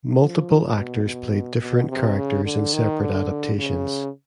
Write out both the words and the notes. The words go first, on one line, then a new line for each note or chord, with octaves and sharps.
Multiple actors played different characters in separate adaptations.
F3
B2
B2
B2
C3
C#3
D3
D#3
D3
C#3